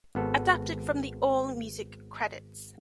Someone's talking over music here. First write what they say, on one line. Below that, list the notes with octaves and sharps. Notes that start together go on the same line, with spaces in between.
Adapted from the AllMusic credits.
G#1 B3 A4